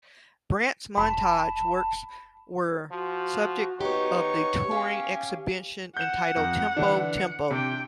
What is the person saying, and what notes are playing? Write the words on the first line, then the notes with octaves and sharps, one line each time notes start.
Brandt's montage works were subject of the touring exhibition entitled Tempo, Tempo!
F1 A5 B5
F3 F#4
B3 D#4 G4 C#5 C#6
C#4 G4 F5
F#5 G6 E7
F2
D3 E3 D4
C#7
C3 D4 G5